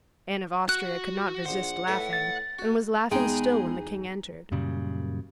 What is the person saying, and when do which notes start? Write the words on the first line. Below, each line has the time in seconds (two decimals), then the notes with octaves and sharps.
Anne of Austria could not resist laughing, and was laughing still when the king entered.
0.69 F#4 F#6
1.46 A#1 C5 F#5
1.87 A2 A4 B4
2.13 A6
2.59 F#4
3.12 E2 G#3 B3 D#4 G#4 G5
4.52 F#2 A#2 C#3 G3